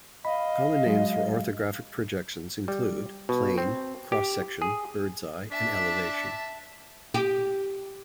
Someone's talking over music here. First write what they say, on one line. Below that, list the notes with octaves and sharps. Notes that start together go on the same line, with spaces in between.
Common names for orthographic projections include plane, cross-section, bird's-eye, and elevation.
D#5 F5 B5
F#3 G#3
G3
B2
C4
G4
G#4
D4 E5 A5 B6
G4